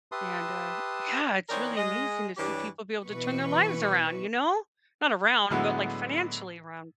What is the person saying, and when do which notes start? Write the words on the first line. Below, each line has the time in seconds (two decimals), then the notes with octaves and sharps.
and, uh yeah, it's really amazing to see people be able to turn their lives around, you know? Not around, but, like, financially around.
0.12 G4 B4 E5 A5 C6 D#6
1.49 E3 C4 D#4 A#4 C#5 D5
1.77 G#3 D#5
2.37 G2 E3 D4 G4 C#5
3.05 B2 E3 B4 C#6
5.50 A2 D3 F#3 G#3 B3 E4